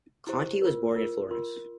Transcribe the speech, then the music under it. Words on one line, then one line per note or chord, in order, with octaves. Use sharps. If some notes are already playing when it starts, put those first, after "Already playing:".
Conti was born in Florence.
E4 G4 C5
F4 A#4
F4 A#4
F4 A#4 C6